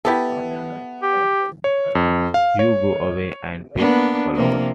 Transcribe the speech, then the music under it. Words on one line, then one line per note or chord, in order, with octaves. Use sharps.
You go away and pick flowers.
B3 E4 G4 A4
G4
C#5
F2
F5
C#5
A#3 B3 D4
C3 F3 A#3